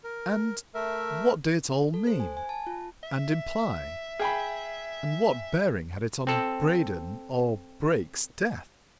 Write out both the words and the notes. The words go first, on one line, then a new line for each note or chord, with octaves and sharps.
And--what did it all mean, and imply, and what bearing had it on Braden or Brake's death?
A#4
A3 A#4 E5
A4
C5
G#5
G#5
A5
F4
E5
G#4 G5 B5
C4 A4